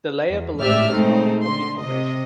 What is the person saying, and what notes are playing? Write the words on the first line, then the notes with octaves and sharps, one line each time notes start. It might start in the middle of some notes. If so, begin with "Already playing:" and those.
The layer below this is Moenkopi Formation.
E2
G#1 A2 G4 D5 E5 F6
A#2 G#3 A3 C4 D#4
D3 C6
C3 D#5